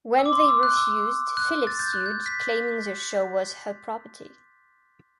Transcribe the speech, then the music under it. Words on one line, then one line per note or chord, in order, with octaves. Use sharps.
When they refused, Phillips sued, claiming the show was her property.
E6
D6
C6
D6
E6
F#6
E6
F#6
A6
G6
F#6
G6
B6